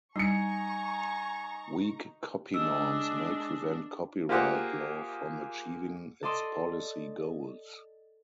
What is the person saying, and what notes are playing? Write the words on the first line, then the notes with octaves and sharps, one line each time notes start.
Weak copynorms may prevent copyright law from achieving its policy goals.
G3 D#4 G#5 A#5 C#6 C#7
G#3 D4 D#5 E6
A#3 F4 G4 G#4 C5 F#5
A4 D5 D#5 C6 D#6